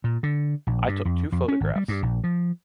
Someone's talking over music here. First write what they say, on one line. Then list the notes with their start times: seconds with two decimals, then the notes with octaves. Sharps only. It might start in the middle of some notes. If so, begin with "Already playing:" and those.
I took two photographs.
0.04 A#2
0.23 D3
0.67 A#1
0.88 G2
1.05 F2
1.32 F2
1.48 C#4
1.61 G#1
1.76 G3
1.88 G2
2.03 A#1
2.24 F3